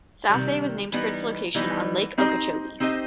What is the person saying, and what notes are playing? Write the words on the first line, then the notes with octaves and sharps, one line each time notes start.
South Bay was named for its location on Lake Okeechobee.
C3 D#3 G3
E3 G3 B3 D#4
E3 G3 B3 D#4
C4 D#4 G4 C5 D#5
C4 D#4 G4 C5 D#5